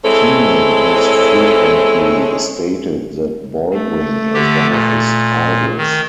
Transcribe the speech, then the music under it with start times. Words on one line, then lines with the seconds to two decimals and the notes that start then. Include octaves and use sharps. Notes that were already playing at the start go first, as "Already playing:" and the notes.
Kenan has frequently stated that Baldwin is one of his idols.
0.05 G#3 C4 E4 A4 C#5
3.73 A3
4.34 D3 G4
4.70 A#2
5.77 D#3